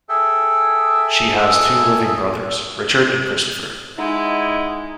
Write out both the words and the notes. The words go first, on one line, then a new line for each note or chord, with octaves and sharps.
She has two living brothers, Richard and Christopher.
G#4 A4 E5 G5
G#3 D#4 E4 F#5